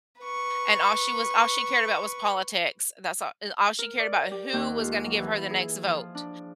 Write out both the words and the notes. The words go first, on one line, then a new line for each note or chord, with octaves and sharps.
and all she was all she cared about was politics, that's a a all she cared about who was gonna give her the next vote,
B4 C#6
A#4
D5
G4
D#2
F4
F#3
E3
E4
G#4
F3
D4